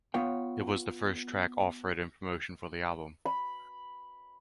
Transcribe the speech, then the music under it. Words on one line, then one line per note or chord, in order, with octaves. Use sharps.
It was the first track offered in promotion for the album.
B3 F4 C#5 G5
B5